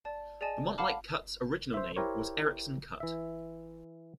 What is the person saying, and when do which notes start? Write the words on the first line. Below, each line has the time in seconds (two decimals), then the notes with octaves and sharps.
The Montlake Cut's original name was Erickson Cut.
0.05 D5 A5
0.41 G#4 D5 D#5 G#5 A5
0.78 F5 F#5 A5 B5 D6 F6
1.74 C5 E5
1.96 E4 G4 A#4 C5 C#5
3.00 E3 E5